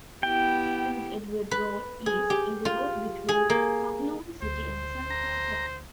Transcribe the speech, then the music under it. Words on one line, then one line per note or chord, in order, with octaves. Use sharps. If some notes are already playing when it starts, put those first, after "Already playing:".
Prince Edward Road East is a road between Kowloon City and San Po Kong.
B3 E4 G4 G5
B4
G#4
G4
F4
G#4
A#3
D2 C5
A#5